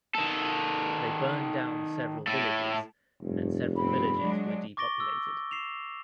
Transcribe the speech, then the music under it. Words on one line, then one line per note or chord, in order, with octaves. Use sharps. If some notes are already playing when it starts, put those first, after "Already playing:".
They burned down several villages and several villages were depopulated.
D#3 A4
A2 A4
F1 G2
G2 B3 C4 B5
F#3 G#3 D4
C#6 D6 A6 A#6 D7 G7
E6
C7 E7 F7